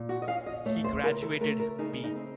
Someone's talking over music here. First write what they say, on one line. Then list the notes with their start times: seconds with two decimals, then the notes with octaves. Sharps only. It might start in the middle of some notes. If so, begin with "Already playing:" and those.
He graduated B.
Already playing: A#2
0.09 F#4
0.22 D#5
0.27 C#4 F5
0.46 D#5
0.66 A3 C#5
0.84 C5
1.03 C#3 A#4
1.23 A4
1.41 A3 A#4
1.60 A#4
1.78 C#3 D#4
2.04 D#4
2.16 C4